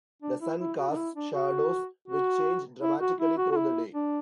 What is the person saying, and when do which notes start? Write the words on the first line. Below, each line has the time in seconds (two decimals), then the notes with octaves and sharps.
The sun casts shadows which change dramatically through the day.
0.22 D4
0.40 E4
0.59 E4
0.78 F#4
0.90 D4
0.97 E4
1.15 D4
1.34 F#4
2.08 F#4
2.82 E4
3.01 F#4
3.19 E4
3.37 F#4
3.51 F#4
3.56 E4
3.94 D4